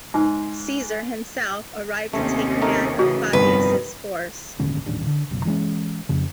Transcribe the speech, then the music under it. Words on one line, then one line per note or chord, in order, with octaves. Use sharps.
Caesar himself arrived to take command of Fabius' force.
G#2
D#2 C3 A3 C#4
A3 D#4 A#4
A2 C#3 E3 F#4
G1 C2 F2 D#3 G3 B4
D#1 G#1 D3 C#4
D#1 A1 D#2 D4
D3
F#1 B1
E3 G#3 C#4
F2 C#3